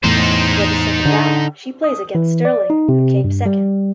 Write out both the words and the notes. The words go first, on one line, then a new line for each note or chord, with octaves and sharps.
For the second round, she plays against Sterling, who came second.
E2 A2 D#4 C5
D3
D#6
E3
D5
D#4
C3
G2
G3